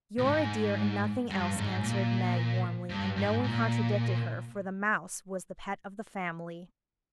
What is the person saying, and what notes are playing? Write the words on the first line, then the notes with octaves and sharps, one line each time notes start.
"You're a dear, and nothing else," answered Meg warmly, and no one contradicted her, for the 'Mouse' was the pet of the family.
A#2
G#2
G2
G#2
A#2
G2
G#2
A#2